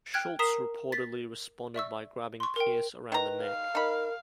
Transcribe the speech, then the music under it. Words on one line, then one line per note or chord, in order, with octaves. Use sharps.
Schultz reportedly responded by grabbing Pearce around the neck.
G5 F6 F#6 G#6
A#4 A#5 D#6 B6 C7 E7
A6 B6
D5 E5 C#6 E6
C6 C#6
A#4 G5
D#3 B4 A#5
F5
D#4 A#4 B5